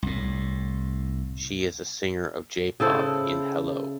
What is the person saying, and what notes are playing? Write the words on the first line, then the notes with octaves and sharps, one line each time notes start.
She is a singer of J-Pop in Hello!
C2 A2
C#3 E4 A4 C5